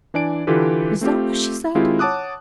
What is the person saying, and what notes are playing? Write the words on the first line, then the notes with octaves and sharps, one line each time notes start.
Was that what she said?
E3 D4 D5 G#5 D7
D3 E3 F4 G4 A4 B4
A3 C4 F4 G4
D#3 G#3 C4 E4 F4 G4
C#5 F#5 A5 D6 D#6 F#6